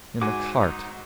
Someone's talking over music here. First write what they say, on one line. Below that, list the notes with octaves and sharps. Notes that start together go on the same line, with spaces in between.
In the cart.
G#2 F#4 G#5 D6
D#4